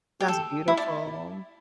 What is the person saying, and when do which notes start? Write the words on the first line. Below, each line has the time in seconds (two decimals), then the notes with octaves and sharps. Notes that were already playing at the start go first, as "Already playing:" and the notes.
that's beautiful.
0.20 G4
0.28 A4
0.68 E4
0.77 D5